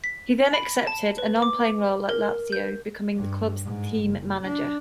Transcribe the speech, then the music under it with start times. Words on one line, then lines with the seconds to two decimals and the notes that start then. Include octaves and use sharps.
He then accepted a non-playing role at Lazio, becoming the club's team manager.
0.04 B6
0.54 B5
0.87 A5
1.18 B4
1.42 D6
2.09 A#4
2.52 G6
3.16 G2
3.64 G#2
4.06 F#1
4.42 D4